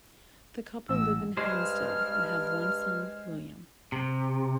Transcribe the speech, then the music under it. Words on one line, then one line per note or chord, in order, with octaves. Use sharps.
The couple live in Helmsdale and have one son, William.
A1 E6
G2 G#3 C5 F6
C3